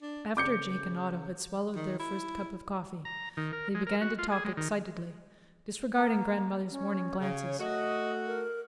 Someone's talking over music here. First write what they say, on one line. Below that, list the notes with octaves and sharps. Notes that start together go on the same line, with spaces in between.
After Jake and Otto had swallowed their first cup of coffee, they began to talk excitedly, disregarding grandmother's warning glances.
D4
C#3 D6 G6 C#7
D#3
E4
A#5
D#3
A#4
G#3
A#4
F#4
F4
G#4
G#3
D#3
A#3
C#4
C#3 C#5
A3 F#4 D#5
A#4